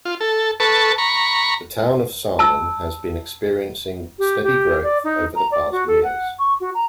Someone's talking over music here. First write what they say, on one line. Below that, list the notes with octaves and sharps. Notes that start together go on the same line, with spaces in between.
The town of Sarnen has been experiencing steady growth over the past years.
F4
A4
A4 B4 A5 C#6
A#5 B5 C#6
A5 E6
G4
G4
D5
D#4
A#5
D5
F#4
A4
F#5
C#6
F#4
A#5